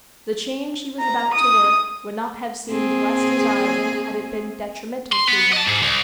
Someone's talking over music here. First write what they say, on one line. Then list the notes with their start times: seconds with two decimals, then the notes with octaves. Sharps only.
The change he was about to work would not have seemed less desirable had it been detrimental to him.
1.00 A#5
1.35 D#6
2.69 A#3 C4 G#4
5.13 C6
5.29 B3
5.53 D#5 A5
5.68 G#2
5.82 C2